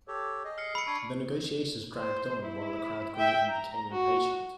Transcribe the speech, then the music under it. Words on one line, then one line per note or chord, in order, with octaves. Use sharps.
The negotiations dragged on while the crowd grew and became impatient.
G4 A4 C#5
G#4 D#5
F6 C7 C#7
B5 E6 C#7 D7
D4 C#6 G#6 C7
C5
E4
E5 G5
A#5
F#4